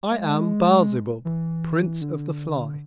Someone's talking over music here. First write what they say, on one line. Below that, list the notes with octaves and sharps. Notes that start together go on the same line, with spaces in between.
I am Baal-Zebub, Prince of the Fly.
G#3
E3
D3